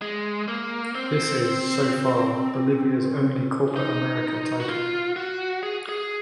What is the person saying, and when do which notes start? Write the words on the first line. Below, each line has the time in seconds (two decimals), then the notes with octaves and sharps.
This is, so far, Bolivia's only Copa America title.
0.02 G#3
0.48 A#3
0.95 C4
3.76 D#4
4.60 F#4
4.69 F4
5.16 F#4
5.63 G#4
5.89 G#4